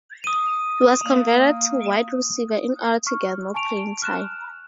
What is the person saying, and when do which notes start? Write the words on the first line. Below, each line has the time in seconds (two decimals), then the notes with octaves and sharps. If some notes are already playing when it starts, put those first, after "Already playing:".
He was converted to wide receiver in order to get more playing time.
0.24 D#6 D#7
1.05 A#3
3.07 C#6 F6
3.54 G#5 A5 C#6 D7 F7
4.02 F6 F#6 E7